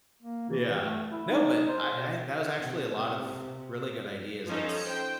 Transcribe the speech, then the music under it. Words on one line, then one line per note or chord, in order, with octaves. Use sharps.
yeah. No, but I I that was actually a lot of really good ideas. It's
A#3
E3
A3
E4
D#4
C5
B2
C3
F3 C#4 D#4 A4
C5 G5